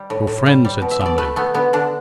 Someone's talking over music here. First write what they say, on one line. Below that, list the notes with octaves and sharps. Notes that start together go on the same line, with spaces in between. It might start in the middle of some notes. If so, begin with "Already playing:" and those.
"Your friend," said somebody.
Already playing: G3 E4
A2
A2
G3
G3
B2
E5
B2
D5
A3 B4
A3 B3
D3 B3
D3 D4